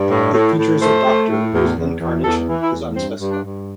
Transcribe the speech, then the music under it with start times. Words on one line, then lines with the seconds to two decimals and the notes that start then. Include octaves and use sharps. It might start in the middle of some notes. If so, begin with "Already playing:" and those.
It features a Doctor whose incarnation is unspecified.
Already playing: G2
0.10 A2
0.33 A2
0.57 A2
0.81 A3 C5
1.05 A3
1.29 A2
1.52 E2
1.77 E2
2.00 E2
2.23 E2 A4
2.48 E3
2.60 E4
2.71 E2
2.95 G2 C4
3.19 G2
3.31 D4
3.43 G2